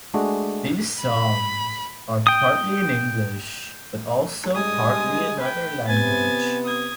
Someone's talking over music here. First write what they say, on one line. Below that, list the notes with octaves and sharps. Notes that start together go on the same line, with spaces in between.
These songs are partly in English, but also partly another language.
G#3 A3 D4 F#4 G#4
B5
G5 D#6
G2 G3 G#3 G#5 D#6
B4 G5
C3 B3 G#5 A6
D#6 G#6